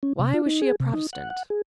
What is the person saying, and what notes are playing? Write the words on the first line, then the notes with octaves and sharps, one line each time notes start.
Why was she a Protestant?
C#4
C3
F4
D#4
G#4
C3
D#4
F#5
F#5
G#4